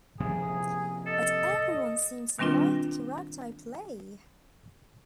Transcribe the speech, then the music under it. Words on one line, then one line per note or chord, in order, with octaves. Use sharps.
But everyone seems to like the character I play.
C3 F3 A#3 G#4
A4 D#5
B2 D#3 G3 C4 D4 F4